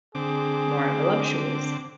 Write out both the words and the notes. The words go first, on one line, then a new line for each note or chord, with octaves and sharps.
more voluptuous,
D3 C4 G#4 D6